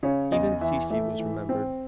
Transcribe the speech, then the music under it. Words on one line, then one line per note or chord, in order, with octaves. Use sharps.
Even Cecy was remembered.
C#3 C#5
E2 D#5
E3 E5
A3 E5
E3
C4